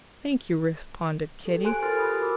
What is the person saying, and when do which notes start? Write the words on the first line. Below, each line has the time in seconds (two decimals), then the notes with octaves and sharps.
"Thank you," responded Kitty.
1.46 G4 A4
1.63 G4 C5 G#5 C6 F#6 D7
1.83 F4 A4 A#4 C6 F6 A6
1.97 B5 D#6
2.21 F#4 A#4 D6 E6